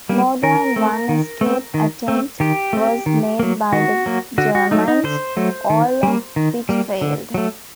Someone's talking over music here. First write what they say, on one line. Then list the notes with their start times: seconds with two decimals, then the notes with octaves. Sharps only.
More than one escape attempt was made by the Germans, all of which failed.
0.09 G3 A#3
0.43 D#3 A#4
0.76 A3 C4
1.09 D#3
1.41 A3
1.46 C4
1.74 D#3
2.08 A3 C4
2.40 D#3 G4
2.73 A3 C4
3.06 D#3
3.39 F#3 A#3
3.73 D#3 F#4
4.06 F#3 A#3
4.38 D3 F#4
4.55 F#4
4.71 F#3 A3 D#4
4.88 D#4
5.04 D3 C5
5.37 F#3 A3
5.70 D#3
6.03 G3 A#3
6.36 D#3
6.69 G3 A#3
7.01 D3
7.34 F#3 A3